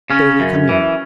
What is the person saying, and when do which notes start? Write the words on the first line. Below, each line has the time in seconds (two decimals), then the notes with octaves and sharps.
Bailey, come here.
0.10 C#3 C#4
0.40 F#2
0.69 E3